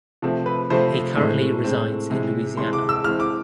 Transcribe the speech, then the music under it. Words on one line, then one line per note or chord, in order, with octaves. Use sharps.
He currently resides in Louisiana.
C3 F3 A3 C4
B4
C3 F3 A3 C4 C5
A2 G#3 C4
A2 G#3 C4
C3 E3 G#3
C3 E3 G#3 C6
D6
E6
E3 G#3 C4 F6
D6